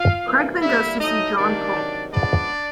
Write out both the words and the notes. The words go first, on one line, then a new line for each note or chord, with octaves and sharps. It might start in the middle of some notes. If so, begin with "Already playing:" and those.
Craig then goes to see John Paul.
Already playing: F4 F5
C3 E3 G3 A#3
D3 G3 A#3 E4 E5
A2 F#3 A3 D#4 D#5
C3 D#3 G3 A#3 D4 D5
C3 D#3 F#3
C#3 F3 G#3 B3 D4 D5